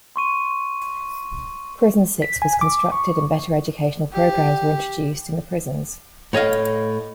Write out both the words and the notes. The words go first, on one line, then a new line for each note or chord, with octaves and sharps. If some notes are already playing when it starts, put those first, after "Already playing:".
Prison Six was constructed and better educational programs were introduced in the prisons.
C6 C#6 D#7
B6
G#5
D6
C#6
G4
A2 C#5 D#5 F5